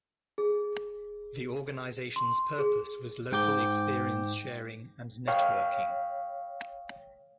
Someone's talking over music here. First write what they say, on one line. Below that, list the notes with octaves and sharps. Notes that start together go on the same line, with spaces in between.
The organisation's purpose was local experience sharing and networking.
G#4
C6
G#4
G#2 G5 D6 G6
C#5 F5 G5